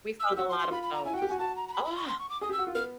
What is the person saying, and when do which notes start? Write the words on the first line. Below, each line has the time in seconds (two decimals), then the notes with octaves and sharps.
We found a lot of those. Ah!
0.20 E6
0.31 G4
0.37 F#4 E6
0.49 C6
0.59 C6
0.71 F4 B5
0.83 B5
0.93 A#5
1.05 E4 G#5
1.14 F#4 G5
1.22 G4
1.28 F#4 G#5
1.39 F#4 A5
1.56 A#5
1.69 A#5
1.73 B5
1.84 B5
1.96 C#6
2.08 C6
2.19 C#6
2.30 D6
2.41 G#4 D#6
2.49 G4 E6
2.58 F#4
2.67 F4
2.75 B3 F6